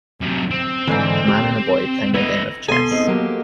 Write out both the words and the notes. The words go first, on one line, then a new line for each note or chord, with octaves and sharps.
A man and boy playing a game of chess.
F#2 C3
C4
G#2 D3 E3
G4
B3 E4 D#5
B3 A4 G#5 C6
G#3 C4 D#4
F#3 A#3 G4